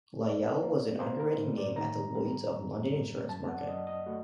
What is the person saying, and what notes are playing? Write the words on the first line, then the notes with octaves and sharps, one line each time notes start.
Lyell was an underwriting 'Name' at the Lloyd's of London insurance market.
A#3 D5
A#3
A#3 C5
A#4
A2
D5
D#3 A#5
G3
F#2
A#3
F#2 A5
F#5
D5
F#2 D#5
D#5
A3 F#4